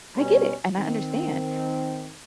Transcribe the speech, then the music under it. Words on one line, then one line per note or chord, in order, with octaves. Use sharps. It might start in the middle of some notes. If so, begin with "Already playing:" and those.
I get it, and I understand.
B2 G3 C#4
D#3 C4